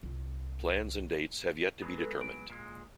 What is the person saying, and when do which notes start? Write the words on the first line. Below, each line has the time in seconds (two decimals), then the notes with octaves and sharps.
Plans and dates have yet to be determined.
0.03 C2 F4
1.82 F#3 G#3 B3
1.98 A4 B4
2.21 D7
2.50 A#2 G#3